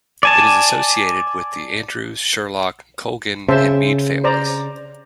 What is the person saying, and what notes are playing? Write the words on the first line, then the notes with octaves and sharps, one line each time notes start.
It is associated with the Andrews, Sherlock, Colgan and Meade families.
D5 G#5 A5
C#3 C5 E5 A5
C5 D5 A#5